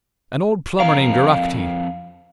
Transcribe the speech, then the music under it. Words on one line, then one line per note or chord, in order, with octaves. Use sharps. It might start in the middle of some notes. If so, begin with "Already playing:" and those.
An old plumber named Geraghty.
F2 A#4 F5